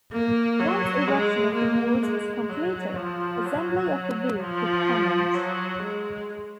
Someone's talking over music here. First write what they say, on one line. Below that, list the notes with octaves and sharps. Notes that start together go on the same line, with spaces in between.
Once erection of the walls was completed, assembly of the roof could commence.
A#3
F#3
G#3
A#3
G#3
F#3
F3
F#3
F3
F#3
G#3